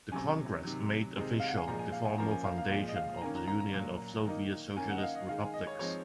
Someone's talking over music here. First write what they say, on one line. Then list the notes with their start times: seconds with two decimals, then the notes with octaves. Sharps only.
The Congress made official the formal foundation of the Union of Soviet Socialist Republics.
0.12 C3 F#3 C#4 G#5
0.64 C3 D#3 F#3
1.16 C3 D#3 G#3 C4 D#4
1.40 F5
1.48 F#5
1.58 G#5
1.68 A#2 F3 G#3 A#5
1.79 G#5
1.92 F5
2.05 G#5
2.18 F3 A#3 C#4 A#5
2.31 G#5
2.44 F5
2.58 F5
2.70 A#2 F3 G#3 F5
2.88 D#5
2.96 F5
3.17 A#5
3.22 D#3 A#3 C#4 G#5
3.35 A#5
3.48 A#5
3.60 A#5
3.73 A#2 F#3 A#3
4.24 D#3 A#3 D#4
4.77 D#3 A#3 C#4 G#5
4.90 F#5
4.98 D#5
5.03 F5
5.15 D#5
5.28 D#3 G#3 D#4 F5
5.41 G#5
5.54 D#5
5.67 C#5
5.79 F3 G#3 C4 D#4 C#5